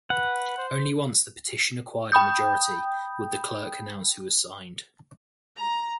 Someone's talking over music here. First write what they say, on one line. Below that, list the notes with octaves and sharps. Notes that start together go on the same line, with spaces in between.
Only once the petition acquired a majority would the clerk announce who signed.
B4 F#5
C5
G5 B5 D#6 G6
A#5